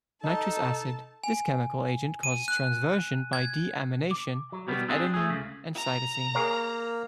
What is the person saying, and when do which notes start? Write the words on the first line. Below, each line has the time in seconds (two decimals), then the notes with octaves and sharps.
Nitrous Acid - This chemical agent causes transversion by de-amination of adenine and cytosine.
0.24 D#4 A4 D#5 A5
1.24 G#5
2.23 D#7
2.48 F#6
3.33 G#6
4.11 D6
4.52 F#3
4.68 B2 F#3 G3 B3
4.88 C4 D4 G#4
5.14 A3 G#4
5.30 C#2 C#3
5.75 A#5
6.35 A#3 G#4 A#4 C#5